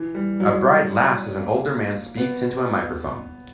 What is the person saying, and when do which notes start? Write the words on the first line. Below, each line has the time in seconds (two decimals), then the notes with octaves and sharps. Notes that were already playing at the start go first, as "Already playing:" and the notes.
A bride laughs as an older man speaks into a microphone.
Already playing: E3
0.15 G3
0.40 F#3
1.41 A#3
2.17 B3